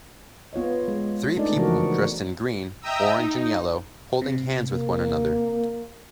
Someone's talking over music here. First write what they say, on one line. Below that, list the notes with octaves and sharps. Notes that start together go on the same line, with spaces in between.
Three people, dressed in green, orange, and yellow, holding hands with one another.
B3 F4 C#5 D#5
G#3
A3 D4 D#4 G#4 D5 D#5
C#3 E3 F3 F#4 A#4
D#5 E5 G5 A#5 D#6 E6
D#4
C3
A#3